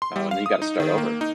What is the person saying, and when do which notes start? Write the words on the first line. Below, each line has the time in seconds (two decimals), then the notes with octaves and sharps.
Oh, and then you gotta start over.
0.02 C6
0.16 G3
0.31 F5
0.46 D#6
0.62 D#4
0.80 D#3
0.98 A#3
1.21 D#4